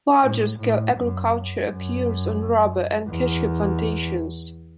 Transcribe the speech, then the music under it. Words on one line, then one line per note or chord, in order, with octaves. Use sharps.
Larger-scale agriculture occurs on rubber and cashew plantations.
A2
A2
F#2
F#2
E2